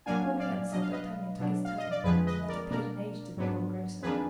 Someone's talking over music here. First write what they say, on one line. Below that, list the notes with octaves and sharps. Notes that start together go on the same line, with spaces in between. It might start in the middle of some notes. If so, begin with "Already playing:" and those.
Before he answered, D'Artagnan took his time, and that appeared an age to the poor grocer.
A#2 F#3 A#3 D4 F5 G#5
D5 F5
B2 F#3 D4 D#5
F5
B4 D#5
B2 F#3 D4
F5
D#5
D5
F2 D3 F3 G#3 G#4 B4
B4 D#5
A#4 D5
B2 A#3 D4 A#4 D5
G#2 F#3 B3 D4
F2 D#3 A#3 D4 G#4 B4